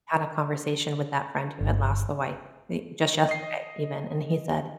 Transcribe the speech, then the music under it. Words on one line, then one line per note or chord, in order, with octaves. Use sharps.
had a conversation with that friend who had lost the wife, eh, just yesterday even, and he said,
G1
D#5 C7